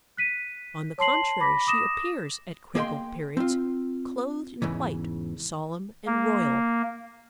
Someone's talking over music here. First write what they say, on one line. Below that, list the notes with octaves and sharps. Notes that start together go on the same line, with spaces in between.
On the contrary, she appears at critical periods, clothed in white, solemn and royal.
F#6 B6 D#7
C#5 A5 C6 C7 F#7
B5 D6 A#6 B6
D6 D#6 A#6 E7
A#3 G#4 D#5 E5 G5 C6
C4 F4
E2 G#2 C#3 E3
A#3